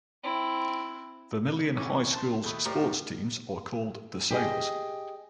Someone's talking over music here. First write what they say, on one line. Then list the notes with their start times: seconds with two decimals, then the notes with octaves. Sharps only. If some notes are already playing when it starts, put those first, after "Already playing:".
Vermilion High School's sports teams are called the "Sailors".
0.23 C4 E4
1.77 E3 C#4 D6
2.13 A5 C6
2.43 D#2 A3 B5 D#6
2.66 A2 G4 A#4 C5 D5 A#5
4.30 G4 G#4 D#5